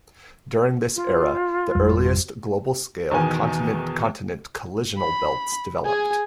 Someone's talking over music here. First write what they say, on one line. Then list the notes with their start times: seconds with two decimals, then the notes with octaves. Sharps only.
During this era the earliest global-scale continent-continent collisional belts developed.
0.96 F4
1.75 G#1 F2 G3
3.11 E2 B2 D#3 G#5
4.98 B5
5.85 G#4 G#5